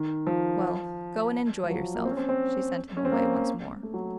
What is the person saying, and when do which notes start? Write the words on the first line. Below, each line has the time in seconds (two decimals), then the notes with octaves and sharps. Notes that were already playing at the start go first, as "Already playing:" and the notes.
"Well, go and enjoy yourself ..." she sent him away once more.
Already playing: D#3
0.27 F3
1.64 F3
1.70 F#3
1.95 A#3
2.05 C4
2.11 C#4
2.17 C4
2.29 C4
2.97 C#4
3.05 C4
3.12 A#3
3.83 A3
3.94 F#3